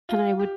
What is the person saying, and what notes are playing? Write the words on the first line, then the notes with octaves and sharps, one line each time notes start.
and I would
F4
G4